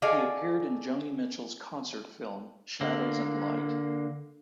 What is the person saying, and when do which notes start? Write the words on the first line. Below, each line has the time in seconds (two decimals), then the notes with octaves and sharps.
He appeared in Joni Mitchell's concert film "Shadows and Light".
0.02 F#4 G#4 A4 D5 D#5 F5
2.81 D3 A#3